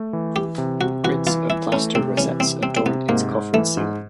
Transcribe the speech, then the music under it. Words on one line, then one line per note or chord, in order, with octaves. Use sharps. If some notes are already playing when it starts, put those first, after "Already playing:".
Grids of plaster rosettes adorn its coffered ceiling.
Already playing: A3
E3
E3 G4
C3
C3 F#4
E3 F#4
E3 F4
E3 E4
A3 C#4
C3 C4
E3 C#4
C3 C4
C3 C4
C4
C3 B3
G#2 A#3
G#2
E3 A3
G#2